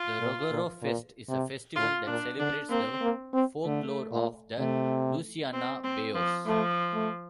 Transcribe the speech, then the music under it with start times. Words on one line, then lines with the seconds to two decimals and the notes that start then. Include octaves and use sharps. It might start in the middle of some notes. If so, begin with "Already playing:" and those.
The Rougarou Fest is a festival that celebrates the folklore of the Louisiana bayous.
Already playing: F4
0.20 A#2
0.51 A#2
0.82 A#2
1.29 C3
1.76 A2 F4
2.07 A#2 D4
2.39 D3 D4
2.70 A#3 C4
3.02 A#3
3.34 C4
3.65 D3 A3
4.12 A#2
4.58 C3 A3
5.53 C4
5.84 C4
6.15 F3
6.47 F3 A3
6.94 A3